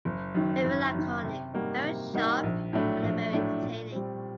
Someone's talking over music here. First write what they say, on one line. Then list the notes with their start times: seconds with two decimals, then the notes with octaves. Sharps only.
Very laconic, very sharp and very entertaining.
0.05 F#1
0.35 F#2 D#3
0.64 F#1
0.94 F#2 D#3
1.24 C3
1.53 G3 A#3 D#4 F#4
1.84 C3
2.14 G3 A#3 D#4 F#4
2.43 A#1
2.73 A2 F#3 A3 D4
3.03 A#1
3.33 A2 F#3 A3 D4
3.62 A#2
3.92 G3 C4